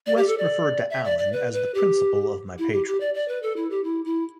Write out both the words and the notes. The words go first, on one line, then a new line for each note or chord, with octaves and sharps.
West referred to Allen as the principal of my patrons.
D5
G4
A4
D5
E5
D5
D5
B4
B4
G4
E4
G4
G4
D5
D5
B4
A4
E4
G4
E4
E4